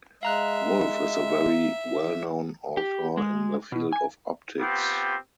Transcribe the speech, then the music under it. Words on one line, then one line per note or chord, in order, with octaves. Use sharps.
Wolf is a very well known author in the field of optics.
G#3 E5 F5 A#5 F#6
G4
G#3
B2
G#5
B3 C4 F4 G4